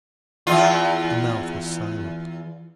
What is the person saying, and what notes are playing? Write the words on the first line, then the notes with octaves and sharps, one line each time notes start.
The mouth was silent.
E2 F4